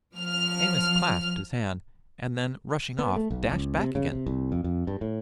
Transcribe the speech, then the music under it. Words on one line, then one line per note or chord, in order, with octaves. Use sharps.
Amos clasped his hand, and then, rushing off, dashed back again.
F3 F6
B3
A3
B1
C#2
C3
C#3
C3
C2
F2
F2
G2
A2